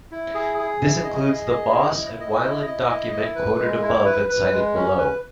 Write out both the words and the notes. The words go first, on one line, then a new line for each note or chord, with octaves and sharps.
This includes the Boss and Wilen document quoted above and cited below.
E4
G#4
G#4
E4
D#5
G#4
D#5
E4
E4
D#5
E4
D#5
E4
E4
B4
G#3
E4
B4
B4
G#3
C#4
B4